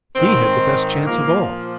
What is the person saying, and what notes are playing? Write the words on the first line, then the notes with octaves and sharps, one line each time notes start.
He had the best chance of all.
G#2 D#3 C4
A#2 F3 A#3